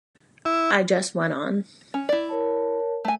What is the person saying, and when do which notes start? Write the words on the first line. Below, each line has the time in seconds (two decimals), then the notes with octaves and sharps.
I just went on.
0.45 E4
1.94 C#4
2.09 E4 D5
2.29 A#4 C#5 A5
3.05 A3 G#5